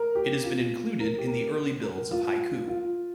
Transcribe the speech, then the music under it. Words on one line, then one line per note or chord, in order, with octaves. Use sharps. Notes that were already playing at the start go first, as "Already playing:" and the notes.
It has been included in the early builds of Haiku.
Already playing: A#4
G4
F4
A#4
G4
A#4
A#4
F4
F4